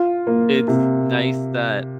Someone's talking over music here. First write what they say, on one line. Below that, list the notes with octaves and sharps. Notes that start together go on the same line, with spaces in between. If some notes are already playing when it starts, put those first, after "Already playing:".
it's nice that
Already playing: F4
A#3
C3